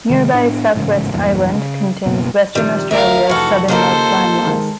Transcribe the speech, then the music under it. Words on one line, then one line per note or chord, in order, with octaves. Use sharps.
Nearby "South West Island" contains Western Australia's southernmost landmass.
C3 D#3 E3 G#3
A2 B3 D4
A1 G#2 C#3
A#1 E2 G2 A#2
C#3
F#1 B2 A#3 B3
A#1 C3 D#3 G3
D2 F3 A#4 E5 F5 D7
F1 E3 F#4 A4 F5
D#2 C#3 F3 A#3 A4 C5 A#5
A#2
D#3 G#3 A#4